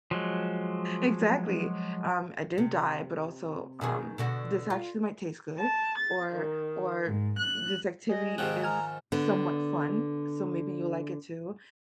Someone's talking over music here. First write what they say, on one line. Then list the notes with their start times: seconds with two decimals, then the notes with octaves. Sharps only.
exactly, um, I didn't die, but, also, um, this actually might taste good or or this activity is somewhat fun, so maybe you'll like it too.
0.11 F3 F#3 G#3
2.58 C3
3.81 B2 D#3 G#4
4.18 B2 D3 F#4
4.70 F4
5.59 A5
5.98 A6
6.33 D#3
7.06 G#2
7.38 F#6
8.09 G#3 D#5
8.38 G#2 D#3 F3 G5 F#6
8.64 G#5 A#5 F6
9.12 D3 B3